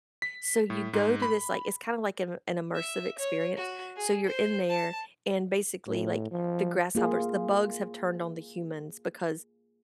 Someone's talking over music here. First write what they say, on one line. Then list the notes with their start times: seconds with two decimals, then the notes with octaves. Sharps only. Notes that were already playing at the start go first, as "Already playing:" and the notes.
So you go to this, like It's kinda like an an immersive experience. So you're in there, and basically, like, the grasshoppers the bugs have turned on the humans, because
0.22 B6
0.70 A2
0.93 G#2
1.22 B5
2.75 E5
3.18 C#5
3.57 F#4
3.96 G#4
4.27 C5
4.69 A5
5.86 A2
6.31 F3
6.95 A#3 F4 G#4